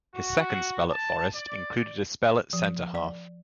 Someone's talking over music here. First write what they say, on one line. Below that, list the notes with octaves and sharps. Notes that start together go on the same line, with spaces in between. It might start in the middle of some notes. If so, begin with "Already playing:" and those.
His second spell at Forest included a spell at centre-half.
F#4
A5
D5
F3
D5